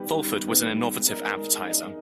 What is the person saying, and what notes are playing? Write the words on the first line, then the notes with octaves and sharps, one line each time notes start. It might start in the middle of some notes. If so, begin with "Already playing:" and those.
Fulford was an innovative advertiser.
Already playing: D#3 G3 B3 G4 B4
D#3
G3 B3 G4 B4
G#3
D#4 A#4 D#5
G#3
D#4 A#4 D#5